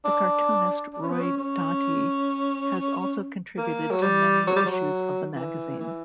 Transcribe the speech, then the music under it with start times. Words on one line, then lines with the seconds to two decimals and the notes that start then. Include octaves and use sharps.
The cartoonist Roy Doty has also contributed to many issues of the magazine.
0.04 D4
0.94 D4
1.02 C#4
1.10 B3
1.19 C#4
1.37 C#4
3.58 A#3
3.91 F#3
4.02 G3
4.47 F#3
4.56 G3
4.65 F#3
5.35 E3
5.79 E3